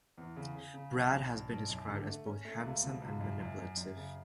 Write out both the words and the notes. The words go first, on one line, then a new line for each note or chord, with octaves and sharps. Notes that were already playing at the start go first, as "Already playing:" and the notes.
Brad has been described as both handsome and manipulative.
E2
C#3
C#3
C#3
B1
B1
B1
B1
F#2
D3
A3
C#4
A3
C#2
B2
C#2
F#2
F#2
F#2
F#2
C#3